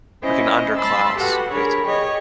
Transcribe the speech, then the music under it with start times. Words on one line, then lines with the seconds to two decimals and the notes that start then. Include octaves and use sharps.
Like an underclass, basically.
0.23 C#4 E4 C5 D#5
0.77 A5 B5 C6 E6 A6
1.18 F#4 G4 A4 B4 F#5
1.51 D4 G#4 A#4 C#5 B5
1.84 G4 G#4 C#5 D#5